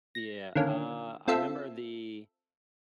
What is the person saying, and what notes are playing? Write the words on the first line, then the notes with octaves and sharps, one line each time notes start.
Yeah, uh, I 'member the,
A#6
D3 D#3 A#3 C#4
C4 F4 A4 E5